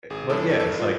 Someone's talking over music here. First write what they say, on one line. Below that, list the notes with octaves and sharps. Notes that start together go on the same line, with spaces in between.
Eh but yeah, it's, like,
G#1 G#4
G2 E3 A4
G#1 A4
A4
G2 E3 A#4
F4